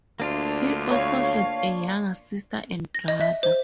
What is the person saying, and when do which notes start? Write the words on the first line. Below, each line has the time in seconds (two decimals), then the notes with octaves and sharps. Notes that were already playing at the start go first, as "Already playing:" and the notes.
He also has a younger sister and brother.
0.20 D2 A#3 D4 F4
0.91 C#5 F5
2.95 A#6
3.08 D#5
3.21 E5
3.43 C5